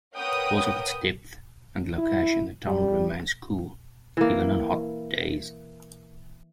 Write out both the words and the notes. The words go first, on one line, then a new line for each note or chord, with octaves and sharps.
Because of its depth and location, the tunnel remains cool even on hot days.
A#4 B4 C#5 F#5 G5 D#6
E4
G3
E3 A#3